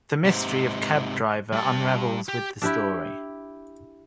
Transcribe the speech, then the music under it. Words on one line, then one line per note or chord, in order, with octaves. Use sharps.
The mystery of cab driver unravels with the story.
G#2 C3
G3 A5
G4
D4 E4 G4 E5